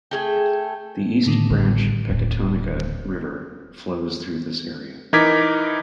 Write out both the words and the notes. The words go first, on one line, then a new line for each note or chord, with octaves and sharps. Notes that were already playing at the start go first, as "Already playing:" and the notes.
The East Branch Pecatonica River flows through this area.
A3 G#4 G5
A2 D3 D#3
A1 G3
D1 E2
E3 D#4 A#4 D6 G#6 B6